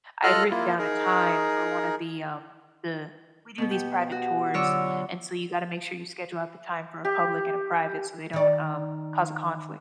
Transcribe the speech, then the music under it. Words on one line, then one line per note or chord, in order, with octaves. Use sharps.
I had written down a time for one of the, um the we do these private tours, and so you gotta make sure you schedule out the time for a public and a private so they don't, um, cause a conflict.
F4 A4 D#5 F6 F#6
A#3 E4 F4
D#4 G#4 A#4
B2 B3
G4
F#4
D3 F#3 F4 C#5 D6 E6
G4
D#3 D5